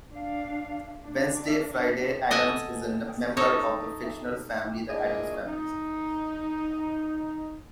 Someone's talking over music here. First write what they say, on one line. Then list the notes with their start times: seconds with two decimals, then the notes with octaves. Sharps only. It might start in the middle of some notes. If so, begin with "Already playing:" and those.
Wednesday Friday Addams is a member of the fictional family The Addams Family.
0.11 D4 F5
1.04 D4
2.31 A4 D#5 F#5 G#5
3.37 D#4 A4 C#5
4.89 A#2 D4 E4 G#4 D5 D#5
5.45 D#4